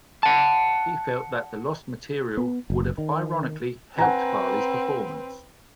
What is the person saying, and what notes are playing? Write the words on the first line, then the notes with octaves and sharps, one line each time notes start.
He felt that the lost material would have ironically helped Farley's performance.
F#5 A5
B3
F#1
D#3
C4 B4 F#5 G#5 A#5